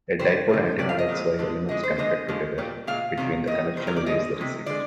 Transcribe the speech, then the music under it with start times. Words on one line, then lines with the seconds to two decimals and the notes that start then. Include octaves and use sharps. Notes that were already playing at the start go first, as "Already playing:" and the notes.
A dipole antenna works via elements connected together, between the connection lays the receiver.
0.19 D3 G3 C5
0.49 D3 G3
0.79 C3 F3 D5
0.89 F5
0.98 D#5
1.09 A#2 G#3
1.39 D3 F3 G#3
1.69 D3 G#3 D#5
1.83 C5
1.98 D3 G#3 D#5
2.29 D3 F3 G#3
2.58 A#2 G3
2.87 A#2 G#3 F5
3.17 C3 D#3 G3
3.47 A#2 G3 D#5
3.76 A#2 G3 C5
3.87 A#4
3.97 D5
4.06 D3 G#3 D#5
4.36 C3 F3 G#3
4.66 D3 G#3 D5